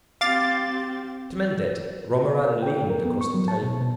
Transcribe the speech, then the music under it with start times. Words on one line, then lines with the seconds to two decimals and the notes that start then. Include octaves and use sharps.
To mend it, Romarin leaned across the table.
0.21 C4 G4 F5 D6 A6
2.27 D5
2.44 A#4
2.63 G5
2.76 A4
2.90 A#4
3.05 B3
3.21 C#6
3.34 F#3
3.48 A5
3.62 B2
3.81 B2